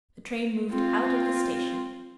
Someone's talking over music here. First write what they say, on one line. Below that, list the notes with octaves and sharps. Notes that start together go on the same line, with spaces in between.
The train moved out of the station.
C4 F4